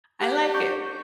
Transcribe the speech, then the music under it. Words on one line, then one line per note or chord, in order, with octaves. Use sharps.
I like it.
G4 F#5
C#6 D6 G6